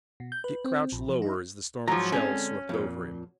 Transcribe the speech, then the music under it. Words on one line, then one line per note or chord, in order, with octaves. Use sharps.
Dick crouched lower as the storm of shells swept over him.
B2
G6
B4
C4
A#1
F3
D#4
G#2 F3 F#3 D5 A#5
D3 G#3 C4 C#4
F2 A#2